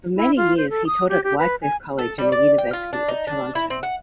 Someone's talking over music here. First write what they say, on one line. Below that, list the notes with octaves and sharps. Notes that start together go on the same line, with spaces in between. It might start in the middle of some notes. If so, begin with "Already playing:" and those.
For many years he taught at Wycliffe College in the University of Toronto.
E4
F4
C5
A4
D#6
G4
G4
B4
G#5
A4
G3
D5
G5
F4
D4
D#4
D4
E4
C4
F#5